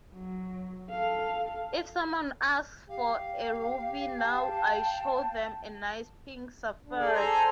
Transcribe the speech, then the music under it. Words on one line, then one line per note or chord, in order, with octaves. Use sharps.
If someone asks for a ruby now I show them a nice pink sapphire.
F#3
A4 F5
G4 F5
G5 A5
D3
G#4 A4 D5
A4 C5 G#5 A#5